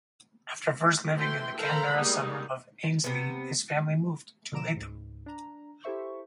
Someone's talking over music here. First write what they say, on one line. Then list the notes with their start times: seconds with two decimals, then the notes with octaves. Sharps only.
After first living in the Canberra suburb of Ainslie, his family moved to Latham.
1.13 E3 A3 G5 C6
1.56 A4 A#4 C5 F5 A#5 B5
1.94 G3 G#3 A#3 B3 D#4
3.04 C3 B3
4.52 B2 D3 F3 A#5 D7 E7
4.76 C#2 G#2
5.26 D4 A#5
5.84 E4 G4 A4 C5 E5 C#6